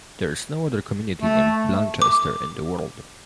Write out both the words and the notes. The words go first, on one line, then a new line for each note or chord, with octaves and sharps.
There is no other community named "Blanchester" in the world.
A3
D6